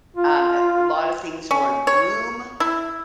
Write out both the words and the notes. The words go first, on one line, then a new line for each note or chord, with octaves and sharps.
Um, a lot of things were in bloom.
F4
C#4
C#5
E4